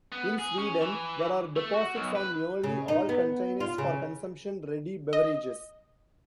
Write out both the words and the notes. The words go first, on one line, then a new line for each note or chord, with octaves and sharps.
In Sweden, there are deposits on nearly all containers for consumption-ready beverages.
B3
G#4
C#4
E3
A3
F#4
B1
B4
C#3
D#4
B3
F4
C#3
D#5